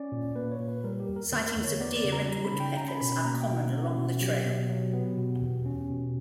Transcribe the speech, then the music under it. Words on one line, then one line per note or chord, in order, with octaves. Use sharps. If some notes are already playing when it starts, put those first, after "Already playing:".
Sightings of deer and woodpeckers are common along the trail.
Already playing: C#4 D5
A#2
A#3 B4
C#5
A#2
B4
G3 A#4
G4
E2
A#4
D3 A#4
A#4
E2
C#5
B3 D5
D5
C#3
A#5
G3 A#5
B5
C#3
G5
C#4 A#5
B5
B2 B5
B5
A#3 A#5
G5
B2
F#5
C#4
B2
F#3 G4
B2
F#3
B3
B2
E2
C#4
B2